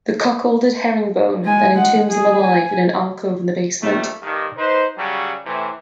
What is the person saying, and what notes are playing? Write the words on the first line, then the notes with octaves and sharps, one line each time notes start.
The cuckolded Herringbone then entombs them alive in an alcove in the basement.
G#3 G#5
G#3 F#5
G#4
G#5
A#1 D#2 G3 A3
G2 D#3
D#4 B4 C5
C#3 F#3 G3
A2 C3 E3